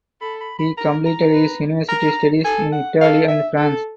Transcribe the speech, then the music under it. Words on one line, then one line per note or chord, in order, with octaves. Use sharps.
He completed his university studies in Italy and France.
A4 B5
B5
B5
A#4 A#5
A#5
B4
A#4 A#5
A4 G#5
F#5
A4 F5
E5
A4